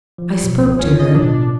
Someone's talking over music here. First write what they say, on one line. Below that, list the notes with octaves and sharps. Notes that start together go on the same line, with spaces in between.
I spoke to her.
F3
B2 F#3
C#2 A#3
F#2 C#4 F4
D#5
A1 B2 D4